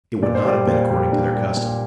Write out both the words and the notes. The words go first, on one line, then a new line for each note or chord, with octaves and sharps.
It would not have been according to their custom.
A#2 D5
C5
G3 D5
A#2 C5
G3
A#2 D4
G3
A#2